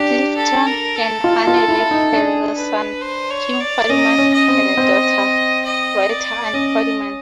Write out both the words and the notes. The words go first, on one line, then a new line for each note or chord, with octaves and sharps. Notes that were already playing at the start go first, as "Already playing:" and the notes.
Clifton and Annalee had a son, Kim Fadiman, and a daughter, writer Anne Fadiman.
Already playing: D4 G4
A4
A#4
A4
F4
F4
E4
D#4
D4 G#4
B4
C5
C#5
D5
C#4 D#5
C#4
D#5
C4
C4
D#5
D5
C#4 D#5